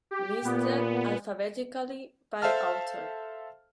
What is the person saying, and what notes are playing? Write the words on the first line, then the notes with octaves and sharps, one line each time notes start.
Listed alphabetically by author.
G4
A#2 B3
A4 C5 E5 F5 A5 F6